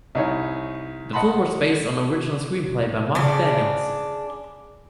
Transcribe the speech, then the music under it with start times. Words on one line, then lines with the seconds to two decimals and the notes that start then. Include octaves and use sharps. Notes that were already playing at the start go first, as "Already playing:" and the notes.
The film was based on an original screenplay by Mark Daniels.
0.15 C2 D#4 C#5
1.13 D#5 F#5 A5 B5 C6
3.15 C#3 D4